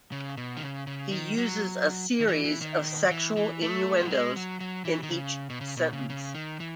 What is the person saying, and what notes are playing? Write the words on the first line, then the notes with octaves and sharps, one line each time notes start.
He uses a series of sexual innuendos in each sentence.
C#3
B2
D#3
C#3
C#3
D#3
F#3
D#3
E3
E3
D#3
F#3
E3
E3
A3
F#3
G#3
F#3
F#3
E3
D#3
C#3
B2
C#3
B2
C#3
C#3
D#3
E3